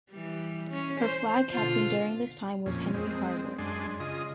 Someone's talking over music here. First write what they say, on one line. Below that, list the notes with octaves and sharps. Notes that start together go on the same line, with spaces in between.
Her flag captain during this time was Henry Harwood.
E3 G3
C#4
C5
B2 D3 F4
F2 A#2 C#4
G#3 C4
F#2 G#3 D4 G#5 C6
C#3 F4 G#4 D#5 D#6